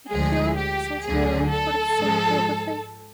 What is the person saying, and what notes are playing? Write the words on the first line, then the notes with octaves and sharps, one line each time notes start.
Ikkyū is also known for its Zen calligraphy.
D2 D3 F3 G#3 G#4
G4
D2 D3 F#3 G#4
A4
G#2 F3 G#3